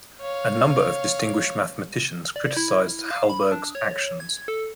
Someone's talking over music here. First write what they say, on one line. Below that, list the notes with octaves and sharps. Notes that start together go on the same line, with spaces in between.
A number of distinguished mathematicians criticised Hallberg's actions.
C#5 F5
D5
E4
F5
B5
D4
C#5
G#6
A4